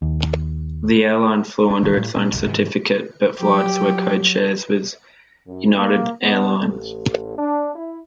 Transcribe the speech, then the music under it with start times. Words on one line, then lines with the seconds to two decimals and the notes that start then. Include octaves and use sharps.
The airline flew under its own certificate, but flights were code-shares with United Airlines.
0.02 D#2
1.71 D4
1.83 D1 G#1 D#3
1.97 A2
2.16 A#2 C#4
2.33 B1 F2 A#2 D3
2.46 G#2 C3 D#3 E3
3.39 F#3 G4
5.47 F#2
5.78 A#3
6.22 B3
6.67 A1
7.38 D4
7.75 E4